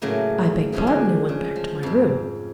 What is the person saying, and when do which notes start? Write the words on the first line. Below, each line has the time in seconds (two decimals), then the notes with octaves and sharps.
I begged pardon and went back to my room.
0.02 A2 C#3 F#3 A3 A#3
0.72 C#3 E3 F3 G#3 C#4
0.87 D3 G#3
1.29 C#3
1.56 F3
1.83 F2 G#2